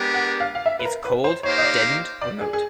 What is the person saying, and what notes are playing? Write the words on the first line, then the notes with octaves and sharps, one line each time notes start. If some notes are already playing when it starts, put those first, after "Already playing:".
It's cold, deadened, remote.
Already playing: G#3 B3 D4 G4 A#4
F#5
F5
F5
E5
B4
A#4
B4
C5
A#3 D#4 G4 C5 C#5 F5
D#5
D5
D5
G#4
G#4